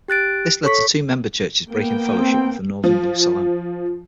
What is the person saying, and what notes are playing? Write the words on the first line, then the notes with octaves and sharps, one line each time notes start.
This led to two member churches breaking fellowship with the Northern New Salem.
G4 F#6 A6 D7
A4 C#5 C#6 B6
A#3 B3 G5
C4
F3